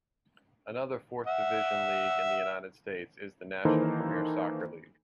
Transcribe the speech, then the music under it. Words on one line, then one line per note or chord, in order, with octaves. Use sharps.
Another fourth-division league in the United States is the National Premier Soccer League.
E5 F#5
D#3 E3 A#3 D#4 A4 C5